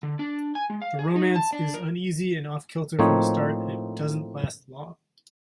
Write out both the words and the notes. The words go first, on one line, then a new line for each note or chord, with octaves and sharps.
The romance is uneasy and off-kilter from the start, and it doesn't last long.
D3
D4
G#5
G#3
F5
G#4
D#4
A5
D4
A#4
A2 F3 A#3 C4 D#4 C#5